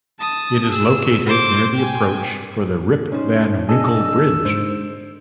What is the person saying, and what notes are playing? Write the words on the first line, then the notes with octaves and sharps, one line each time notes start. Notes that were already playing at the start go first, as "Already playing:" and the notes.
It is located near the approach for the Rip Van Winkle Bridge.
A5 D#6
G#4 E6
C5 D6
G5 G#5
C#4 D#4 C5
D4 G#4 D#5 A5 E6
G#2 C5 E7